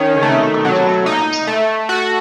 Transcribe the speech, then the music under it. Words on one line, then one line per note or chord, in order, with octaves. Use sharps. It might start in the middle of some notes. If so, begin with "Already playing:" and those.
Ringo goes off by himself.
Already playing: D#3 C#4
A3
F#3
D#4
A3
F#4